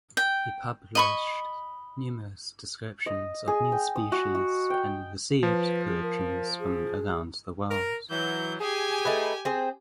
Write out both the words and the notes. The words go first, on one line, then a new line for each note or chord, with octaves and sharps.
He published numerous descriptions of new species and received collections from around the world.
G5
D#5 B5 C#6
D#5
G#4
G5
D#6
F#4
F#4
G5
F3 B4
G#4
A#4
G#4
A#4
E3 F#3 G6
G4 G#4 G#5
A3 D#4 B4
C4 G#4 C5